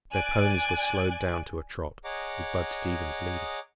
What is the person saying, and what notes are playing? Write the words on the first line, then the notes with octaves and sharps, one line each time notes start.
Their ponies were slowed down to a trot, with Bud Stevens leading.
D5 G#5 F#6 D7
G#4 C#5 D#5 F#5 A#5 D6